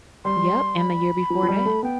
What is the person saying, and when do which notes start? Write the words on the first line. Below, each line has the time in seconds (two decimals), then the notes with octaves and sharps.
Yep, and the year before that.
0.25 G3 C6
0.78 B5
1.30 F3
1.43 F3
1.48 G3
1.66 A3
1.83 B3 G5